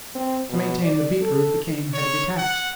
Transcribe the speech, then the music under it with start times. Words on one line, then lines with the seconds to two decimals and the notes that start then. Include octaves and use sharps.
To maintain the beet-root, the cane had to be taxed.
0.15 C4
0.49 B2
0.83 D5
1.22 A4
1.93 C#5
2.38 F#5